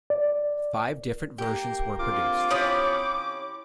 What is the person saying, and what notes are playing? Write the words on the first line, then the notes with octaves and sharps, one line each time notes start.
Five different versions were produced.
D5
A#3 G4
D3 C4 F4 D6
C#4 E4 G4 B5 D#6